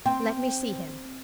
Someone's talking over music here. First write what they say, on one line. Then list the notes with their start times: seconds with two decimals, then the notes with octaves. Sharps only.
"Let me see him."
0.06 C4 G5